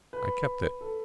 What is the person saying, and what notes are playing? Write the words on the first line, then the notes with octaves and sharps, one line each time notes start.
"I kept it."
B4
A4